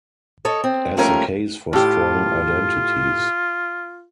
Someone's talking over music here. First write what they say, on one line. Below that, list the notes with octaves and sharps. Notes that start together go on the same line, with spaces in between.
As the case for strong identities.
A4 C#5 D#5
C4
F3 G3 A3 A#3 C#4 A#4
A2 F4 G4